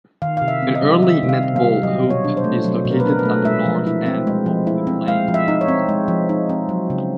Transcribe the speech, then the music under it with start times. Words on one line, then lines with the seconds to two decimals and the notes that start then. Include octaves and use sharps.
An early netball hoop is located at the north end of the playing field.
0.22 D#3 F5
0.37 C3 F5
0.48 E5
0.62 C4
0.75 D#5
0.82 G3
1.02 D#3 E5
1.23 C3
1.29 F5
1.43 C4
1.56 F5
1.64 G3
1.83 F#3 D#5
2.04 B2
2.10 C#5
2.25 D4
2.37 C5
2.44 A3
2.64 F#3
2.85 B2
2.91 A#4
3.00 B4
3.06 D4 A#4
3.19 B4
3.25 A3
3.45 G#3 E5
3.66 F3
3.87 E4
4.06 C4
4.27 G#3
4.46 F3
4.67 E4
4.87 C4
5.08 G#3 F5
5.28 F3
5.34 E5
5.48 D#4
5.61 C#5
5.68 C4
5.89 G#3
6.08 F3
6.29 D#4
6.49 C4
6.69 F#3
6.90 C#3